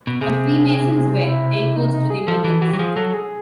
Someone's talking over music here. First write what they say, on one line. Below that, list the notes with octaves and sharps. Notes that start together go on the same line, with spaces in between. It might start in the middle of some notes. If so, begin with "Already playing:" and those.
Some Freemasons wear tailcoats to their meetings.
B2
C3 G#4
E4
D#4
D#4
G#4
F3 A4
E3
E3 F#4
F#3 G4
F3 G#4
F#3 A4
G#4